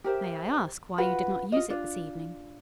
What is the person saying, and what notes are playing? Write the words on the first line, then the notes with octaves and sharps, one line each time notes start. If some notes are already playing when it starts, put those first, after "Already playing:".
"May I ask why you did not use it this evening?"
G4 A#4 C5 E5
F4 F#4 B4 F#5
F4 D#5
D4 F4